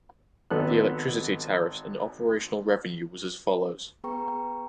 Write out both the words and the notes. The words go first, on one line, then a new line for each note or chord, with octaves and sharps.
The electricity tariffs and operational revenue was as follows.
G#1 B3 A4 F#6
B3 G#4 B4 G5 A#5 C#6